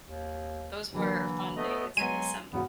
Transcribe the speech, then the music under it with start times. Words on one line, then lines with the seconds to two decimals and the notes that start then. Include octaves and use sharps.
those were fun days. I miss 'em.
0.07 D#2
0.93 D3 E3 F#3 A#3
1.56 A3 B3 D#5
1.97 F#3 G#3 B3 G#5 C6 D#7
2.52 E2 G#2 C#3 B3 F#4